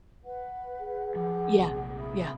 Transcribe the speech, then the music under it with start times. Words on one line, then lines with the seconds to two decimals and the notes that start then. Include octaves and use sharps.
Yeah, yeah.
0.24 B4 F#5
0.81 G#4
1.16 F3 F#5 D6
1.58 A#1 C3
1.97 E5 B5 D#6